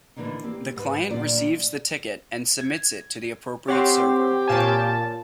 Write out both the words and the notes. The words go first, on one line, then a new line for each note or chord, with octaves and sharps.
The client receives the ticket and submits it to the appropriate server.
A2 D3 E3 A#3 D4 D#4
A#3 C4 G4
G#2 B4
D2 A#2 F#3 D4 D5
G#6
C4 G4 C#5 F#5 C6
A#2 C#5 F5 G#5 A5